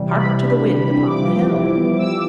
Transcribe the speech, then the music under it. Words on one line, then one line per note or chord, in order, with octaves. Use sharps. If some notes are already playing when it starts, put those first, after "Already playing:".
Hark to the wind upon the hill!
Already playing: C3 E3 G3
C3 B5
D4
G3
E3
F3 D6
F3
E4
B3
F3 E6